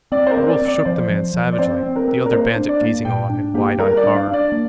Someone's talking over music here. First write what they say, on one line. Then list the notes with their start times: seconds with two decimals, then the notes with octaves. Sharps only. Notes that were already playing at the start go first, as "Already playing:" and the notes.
The Wolf shook the man savagely, the other bandit gazing on in wide-eyed horror.
0.12 C4 D5
0.27 C5
0.31 A#4
0.37 C4
0.49 D5
0.62 C4
0.68 D5
0.85 F3 C5
1.10 F3
1.34 F3
1.53 D5
1.59 C4 C5
1.83 C4
1.96 A#4
2.08 C4
2.26 A#4
2.33 A#3 C5
2.56 D4
2.69 D5
2.81 A#3
3.05 A#2 G5
3.30 D4
3.54 A#3 G4
3.79 G3 A#4
3.97 D5
4.04 D4
4.15 F5
4.28 D4
4.33 D5
4.52 A#3